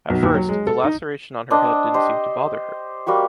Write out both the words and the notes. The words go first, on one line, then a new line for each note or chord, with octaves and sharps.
At first, the laceration on her head didn’t seem to bother her.
B1
D#2
F#3
G#3
A4
D#4
C4 D4 C5 D#5
G4 C5 D#5
G3 A#3 F#4 G4